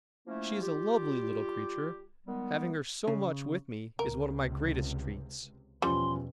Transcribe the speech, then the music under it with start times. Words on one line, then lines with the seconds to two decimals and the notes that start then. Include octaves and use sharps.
She is a lovely little creature: having her so much with me is one of my greatest treats.
0.27 F3 A3 A#3 C#4 E4
0.61 G3 F4 G4
2.27 D#3 G3 G#3 B3
3.07 C#3
3.99 C#2 C3 A#4
5.82 E2 B2 F3 G3 C#4 C6